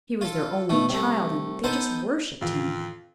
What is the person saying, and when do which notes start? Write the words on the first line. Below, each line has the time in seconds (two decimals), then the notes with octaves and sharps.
He was their only child and they just worshipped him.
0.21 F4 A4
0.69 B2 A3
0.89 C2 A3
1.64 B3 D#4 A4 C5
2.42 F2 A2 D#3 E3 F4